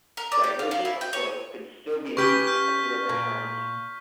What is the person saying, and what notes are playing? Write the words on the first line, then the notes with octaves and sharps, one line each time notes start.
Diversion of flow could still be seen as the river turns.
A#4
D5
G4
F4
F4
E4
G5
C#5
C#4 G4 B4 C#6 F6 B6
F6 G6
A#2